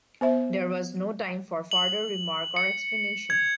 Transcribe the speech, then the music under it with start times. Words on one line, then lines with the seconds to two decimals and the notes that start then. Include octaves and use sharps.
There was no time for farther remark or explanation.
0.21 B3 C5 E5
1.71 F#7
2.56 C#7
3.30 G#6